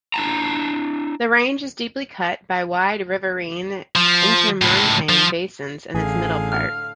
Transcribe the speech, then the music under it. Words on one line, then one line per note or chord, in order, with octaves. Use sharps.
The range is deeply cut by wide riverine intermontane basins in its middle part.
D4 E4 A5 A#5
F3
C#2 A2
F3
A1 A2 D3 G#4 F5
F6